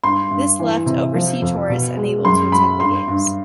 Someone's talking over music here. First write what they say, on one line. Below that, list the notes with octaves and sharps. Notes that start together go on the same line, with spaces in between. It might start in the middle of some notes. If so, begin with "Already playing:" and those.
This left overseas tourists unable to attend the Games.
G2 C6
G2
E3
C3
F3
F2
B2
G#3
F#2 C6
F#3 B5
G2 C6
G2